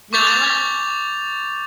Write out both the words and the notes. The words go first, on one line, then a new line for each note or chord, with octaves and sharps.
No, I li
C#6 D6 G6 A6 F7